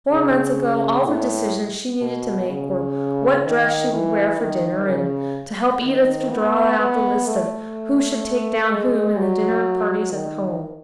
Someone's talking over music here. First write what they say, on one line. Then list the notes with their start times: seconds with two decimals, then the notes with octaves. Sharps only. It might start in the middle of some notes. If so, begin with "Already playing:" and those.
Four months ago, all the decisions she needed to make were what dress she would wear for dinner, and to help Edith to draw out the lists of who should take down whom in the dinner parties at home.
0.11 C#3
1.06 A2
2.01 B2
2.50 C#3
3.45 D#3
3.92 E3
4.40 D#3
4.88 C#3
5.84 D#3
6.31 B3
6.79 B3
7.26 A3
8.70 G#3
9.18 F#3
10.13 D#3